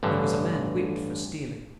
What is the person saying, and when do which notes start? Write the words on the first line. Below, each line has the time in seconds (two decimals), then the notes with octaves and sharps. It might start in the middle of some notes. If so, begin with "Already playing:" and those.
Their was a man Whiped for Stealing.
0.03 A1 G2 D3